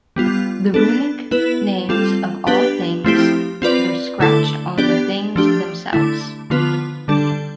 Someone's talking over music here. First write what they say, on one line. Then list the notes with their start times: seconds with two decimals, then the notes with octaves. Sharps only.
The runic names of all things were scratched on the things themselves.
0.16 G3 B3 F4
0.74 B3 D4 A4
1.31 B3 E4 B4
1.89 G3 C4 F4 A4
2.47 B3 D4 G4 B4
3.04 F3 A3 C4 E4 G4
3.62 C4 F4 B4 D5
4.20 D3 A3 E4 A4
4.78 B3 D4 G4 D5
5.36 F3 A3 D4 G4
5.93 D3 A3 E4
6.50 D3 F3 B3 F4 B4
7.08 D3 G3 D4 A4